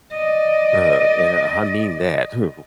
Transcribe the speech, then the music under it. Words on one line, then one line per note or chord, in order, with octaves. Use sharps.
Huh, and I mean that too.
D5 D#5